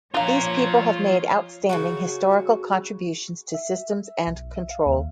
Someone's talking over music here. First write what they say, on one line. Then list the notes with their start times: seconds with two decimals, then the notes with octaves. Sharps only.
These people have made outstanding historical contributions to systems and control.
0.14 F3 D4 F4 C#5 F5 A#5
1.69 C#3 F#3 F#4
3.54 E5
4.27 B1
4.56 E5
4.70 F5
4.86 D#2